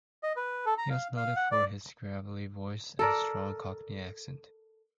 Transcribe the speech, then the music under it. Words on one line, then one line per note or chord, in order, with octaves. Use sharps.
He was noted for his gravelly voice and strong Cockney accent.
D#5
B4
A4
A#5
F5
F5
F#5
D5
A4 A#4 D5